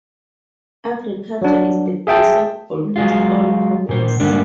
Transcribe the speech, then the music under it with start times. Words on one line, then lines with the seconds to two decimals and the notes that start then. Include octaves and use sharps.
Agriculture is the base of almost all commerce.
1.42 F#3 D4
2.07 G#4 E5 G5 A5
2.96 F#3 G#3 F4
3.89 A#2 C5
4.20 G#2 D3 G3 A#3 D4